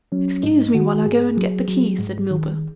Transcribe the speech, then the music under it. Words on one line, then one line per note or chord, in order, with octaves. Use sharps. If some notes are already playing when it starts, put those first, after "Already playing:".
"Excuse me while I go and get the key," said Milburgh.
F#3 C#4
G#2 D#4
D#3 F#4
G#2 G#4
F#3
F#3
G#2
D#3